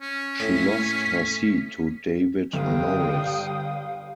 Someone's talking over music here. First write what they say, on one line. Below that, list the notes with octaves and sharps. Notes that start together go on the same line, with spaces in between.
She lost her seat to David Norris.
C#4
A2 B6
G1 G3 F5 G5 D#6